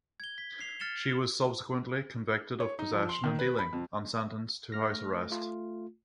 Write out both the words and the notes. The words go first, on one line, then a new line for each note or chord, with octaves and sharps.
She was subsequently convicted of possession and dealing and sentenced to house arrest.
G#6 G7
B6
C7 F7
F6 A6 C#7 E7 G7
C#5
D#4
F3
C6
D#3
B4
B5
F2
A3 F6 A#6
A3 F4